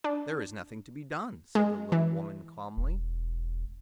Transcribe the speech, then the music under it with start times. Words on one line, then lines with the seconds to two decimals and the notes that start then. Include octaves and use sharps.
"There is nothing to be done," said the little woman calmly.
0.04 D4
1.55 G#3
1.92 E3
2.77 E1